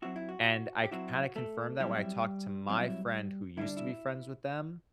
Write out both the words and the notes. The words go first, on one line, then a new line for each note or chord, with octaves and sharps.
And I k kinda confirmed that when I talked to my friend who used to be friends with them,
F#3 C4 E4 F#4
E4
F#4
G4
F#3 C4 E4 F#4
A3 A4
F#3 G3 C4 E4 G4
F#3 C4 E4
D3 G3 D4 E4
E4